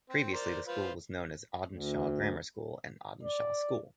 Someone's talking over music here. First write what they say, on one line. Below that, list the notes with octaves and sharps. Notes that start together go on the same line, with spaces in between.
Previously the school was known as Audenshaw Grammar School and Audenshaw School.
C4
A#4 C5 D5
F4 B4 C5
D2
D5